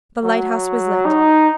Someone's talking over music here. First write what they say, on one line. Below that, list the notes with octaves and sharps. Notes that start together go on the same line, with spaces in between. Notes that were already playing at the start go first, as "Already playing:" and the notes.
The lighthouse was lit.
F#3
D#4